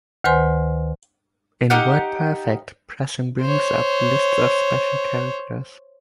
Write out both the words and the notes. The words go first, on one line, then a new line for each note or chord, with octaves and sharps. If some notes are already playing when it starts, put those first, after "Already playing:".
In WordPerfect, pressing brings up lists of special characters.
D2 D#3 B4 C5 G#5 C6
D#4 G4 F5 F#5
C5 C#5